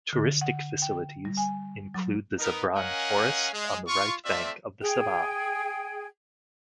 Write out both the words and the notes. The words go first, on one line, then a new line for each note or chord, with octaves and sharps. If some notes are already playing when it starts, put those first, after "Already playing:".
Touristic facilities include the Zabran forest on the right bank of the Sava.
D3
F#5
G5
G3
G#5
F#3
B3 D#4 A#4
C#4 A#4 D#5 F5 F#5 G#5
G#3
F4 C#6
A3 C4 F4 D5 E5
G#4 G5